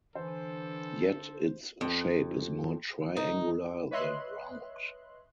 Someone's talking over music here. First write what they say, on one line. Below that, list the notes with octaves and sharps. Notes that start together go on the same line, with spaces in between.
Yet its shape is more triangular than round.
D3 E3 D4 A4 C5
F2
D#4
B4 C#5 D#5 E5 C6 F#6